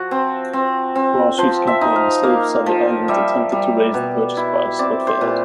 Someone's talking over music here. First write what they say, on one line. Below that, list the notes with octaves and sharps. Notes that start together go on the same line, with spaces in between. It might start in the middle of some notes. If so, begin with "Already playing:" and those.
Grassroots campaign "Save Sully Island" attempted to raise the purchase price, but failed.
Already playing: F3 F#4
C4
C4
C4
F3 C5
E5
D#4
F5
A#3 F5
F3
G3 E5
G3
B2
E4
C4 D5
C5
A#2